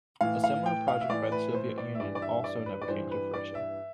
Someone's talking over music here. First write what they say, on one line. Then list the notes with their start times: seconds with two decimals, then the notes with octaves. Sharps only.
A similar project by the Soviet Union also never came to fruition.
0.21 A2 E3 F5
0.44 F5
0.66 G5
0.88 F5
1.01 E5
1.10 A2 E3 D5
1.32 B4
1.55 C5
1.78 D5
1.95 E5
2.00 G2 E3 D5
2.15 D5
2.22 E5
2.44 D5
2.66 B4
2.82 D5
2.88 G2 E3 C5
3.11 B4
3.34 D5
3.55 E5